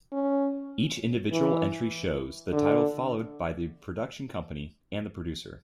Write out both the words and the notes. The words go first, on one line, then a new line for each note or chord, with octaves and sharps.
Each individual entry shows the title followed by the production company, and the producer.
C#4
E3
D3